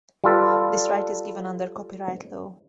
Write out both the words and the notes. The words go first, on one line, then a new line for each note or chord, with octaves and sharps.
This right is given under copyright law.
G3 F4 A4 B4